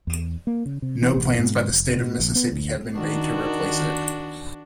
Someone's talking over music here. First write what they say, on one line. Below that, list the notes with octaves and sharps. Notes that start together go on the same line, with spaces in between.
No plans by the State of Mississippi have been made to replace it.
E2
A#3
C#3
C3
E3
A1
G#2
F1
B2
A#1
B3
D2
D#3 D4 F#4